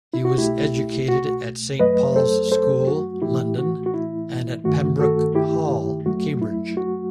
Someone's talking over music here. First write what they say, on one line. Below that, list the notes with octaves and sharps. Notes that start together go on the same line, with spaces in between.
He was educated at Saint Paul's School, London, and at Pembroke Hall, Cambridge.
E4
F#4
C2 B2 A3 E4 G4
F#4
F#2 F#3 A3 B4 D#5
A4 C5
A4 C5
F#4
A2 E3 A3 E4 G4
F#4
F#4
E4
G2 D#3 A3 F#4
F#4 A4
E4 G4
F#2 F#3 A3 F#4
E4
F#4